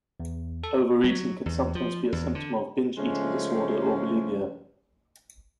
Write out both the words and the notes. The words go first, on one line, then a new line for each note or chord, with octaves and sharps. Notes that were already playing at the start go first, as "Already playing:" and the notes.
Overeating can sometimes be a symptom of binge eating disorder or bulimia.
E2
A4
F#3
E2
F3
E2
D3
C#3 F3 G#3 A3 C#4